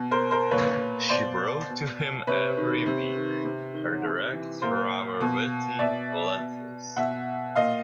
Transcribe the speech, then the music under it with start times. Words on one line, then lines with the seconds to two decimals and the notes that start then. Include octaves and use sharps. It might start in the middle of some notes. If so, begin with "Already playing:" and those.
She wrote to him every week her direct, rather witty letters.
Already playing: B2
0.11 A#4 C5
0.31 A#4 C5
0.51 A#2 B4 C#5
1.09 B2 C5 D5
1.69 B2
2.27 C3 B4 C#5
2.57 D#3
2.86 C3
3.15 D#3
3.44 C3
3.74 D#3
4.03 C3
4.33 E3
4.62 A#2 A#4 C5
5.20 B2
5.79 B2 D5 E5
6.38 B2
6.97 B2 E5 F#5
7.56 A#2 D#5 F5